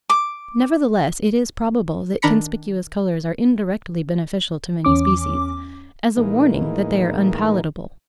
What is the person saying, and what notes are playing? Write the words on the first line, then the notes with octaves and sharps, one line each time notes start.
Nevertheless, it is probable that conspicuous colours are indirectly beneficial to many species, as a warning that they are unpalatable.
D6
D#3 D4 A#5 B5 B6 C#7
E2 C#4 D6
A2 E3 G#3 A#3 D#4